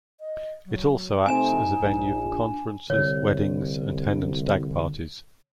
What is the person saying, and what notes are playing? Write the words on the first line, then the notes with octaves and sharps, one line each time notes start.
It also acts as a venue for conferences, weddings and Hen and Stag parties.
D#5
F#3
C3 A3 C4 D#4 G#5 E7
A#1
D4
C2 D3 C#5